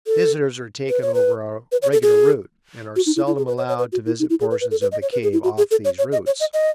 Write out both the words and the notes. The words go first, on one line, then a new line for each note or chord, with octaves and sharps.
Visitors are taken over a regular route and are seldom allowed to visit portions of the cave off these routes.
A4
B4
C#5
B4
B4
C#5
A4
G#4
F#4
D#4
E4
E4
G#4
B4
C#5
C#5
B4
F#4
E4
D#4
E4
G#4
B4
B4
A4
B4
D#5
C#5
B4
G#4
E4
F#4
G#4
A4
C#5
C#5
D#5
C#5
D#5
D#5